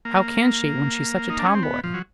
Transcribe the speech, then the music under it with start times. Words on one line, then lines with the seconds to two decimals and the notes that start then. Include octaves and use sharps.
"How can she, when she's such a tomboy?"
0.05 A#3
1.30 D#4
1.39 D4
1.46 C#4
1.55 C4
1.63 B3
1.84 F3
1.94 F#3